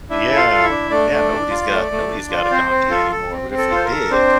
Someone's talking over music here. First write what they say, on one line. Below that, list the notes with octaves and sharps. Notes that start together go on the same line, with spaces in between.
Yeah, now nobody's got nobody's got a donkey anymore, but if we did
D4 E4 E5
A4
F4 F5
A4
E4 E5
D4
A3 D4 D5
A3
D4
F4
A3
A3
D4
F4
D5
C4 C5
C4
F4 A4
A4
C4
C4
A4
F4 C5
A#4
A4
C4 D4 C5